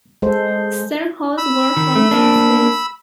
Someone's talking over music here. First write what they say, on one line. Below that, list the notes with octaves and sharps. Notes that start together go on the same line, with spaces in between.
Sternhold's work forms its base.
G#3 A4 C5
B5 E6
D#3
A3
A#3 D4